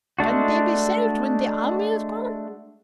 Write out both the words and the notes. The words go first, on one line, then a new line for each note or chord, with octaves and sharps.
Can they be saved when the army has gone?
G#3 A3 D4 F#4